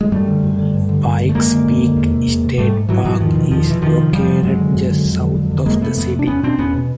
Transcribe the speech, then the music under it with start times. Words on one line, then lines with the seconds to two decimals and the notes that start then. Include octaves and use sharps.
Pike's Peak State Park is located just south of the city.
0.01 G#3
0.12 F#2 G3 A3
0.28 D3
0.43 F#2
0.58 D3
0.74 G2
0.89 D3
1.04 G2
1.20 D3
1.29 A3
1.35 F#2 G#3 A#3
1.50 D3
1.66 F#2
1.82 D3
1.96 E2
2.12 C3
2.28 E2
2.43 C3
2.58 G#2 G3 A3
2.74 G#2
2.89 G#2 E3 F#3
3.05 G#2 E3 F#3
3.20 E2 D#3 F3
3.35 B2
3.51 E2 D#3 F3
3.66 B2 E3
3.81 F2 D#3 F3
3.98 C3
4.12 F2 F3 G3
4.28 C3
4.43 F#2 F#3 G#3
4.58 D3
4.74 F#2
4.89 D3
5.05 F2
5.20 D3
5.35 F2
5.51 D3
5.66 F2 G#3 A#3
5.81 C3 A3 B3
5.97 F2 A3 B3
6.12 C3
6.19 D4
6.27 E2 B3 C#4
6.43 B2 C4 D4
6.58 E2 B3 C#4
6.74 B2